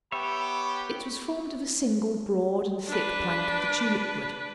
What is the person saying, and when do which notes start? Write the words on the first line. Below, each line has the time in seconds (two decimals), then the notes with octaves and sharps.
It was formed of a single, broad and thick plank of the tulip wood.
0.12 B3 G4 C#5 E5 B5
2.88 D4 B4